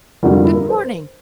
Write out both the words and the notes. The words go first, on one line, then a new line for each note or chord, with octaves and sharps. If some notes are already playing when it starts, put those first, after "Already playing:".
'Good morning!
F2 D3 G3 A#3 F#4
F4
E4
A#4
C5